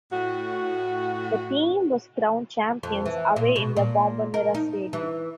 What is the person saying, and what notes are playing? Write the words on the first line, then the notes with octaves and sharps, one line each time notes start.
The team was crowned champions away in the Bombonera Stadium.
A2 F#4
F2
E3
A#2
B2
A#2
A#4
D#4
E3